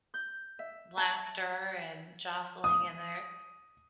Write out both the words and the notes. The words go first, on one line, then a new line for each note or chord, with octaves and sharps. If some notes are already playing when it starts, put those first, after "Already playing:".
laughter and jostling in there.
G6
E5
A5
D#6